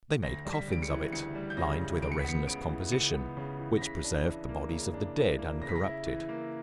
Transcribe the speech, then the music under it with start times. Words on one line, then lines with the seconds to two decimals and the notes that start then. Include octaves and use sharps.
They made coffins of it, lined with a resinous composition, which preserved the bodies of the dead uncorrupted.
0.23 D2 A#6
0.45 G3
0.53 B6
0.68 C#3 D7
0.83 C#7
0.90 E3
1.12 D2 C#7
1.35 G3
1.50 G6
1.57 C#3 A#6
1.80 E3
2.02 C#2 D7
2.12 C#7
2.20 B6
2.24 B3 C#7
2.47 C#3 D7
2.70 E3
2.92 C#2 C#7
3.14 B3
3.37 C#3
3.59 E3
3.76 A#6
3.81 C#3 B6
4.04 D4
4.27 E3
4.49 A#3
4.71 C#3
4.94 D4
5.16 E3
5.39 A#3
5.61 C#3 A#6
5.69 B6
5.76 A#6
5.84 E4
6.06 E3
6.29 A#3